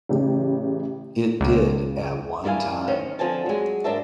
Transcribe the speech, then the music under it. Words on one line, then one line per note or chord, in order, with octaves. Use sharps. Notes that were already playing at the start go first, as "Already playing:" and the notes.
It did at one time.
A1 C#3 G4
C#2
D#3 G3 E4 F5 G#5
D#3 C#4 C5
D3 F3 C4 G#5 A5
F#3 G#3
G#2 D4 A#4 C5 E5 A5